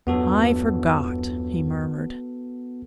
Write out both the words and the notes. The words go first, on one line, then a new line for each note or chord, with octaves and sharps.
"I forgot," he murmured.
E2 G2 F#3 B3 F#4 A4